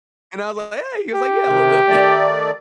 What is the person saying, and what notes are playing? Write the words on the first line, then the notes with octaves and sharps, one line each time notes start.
And I was like, "Yeah." He was like, "Yeah, a little bit."
G4
C3 D#3
D#3 A3 D5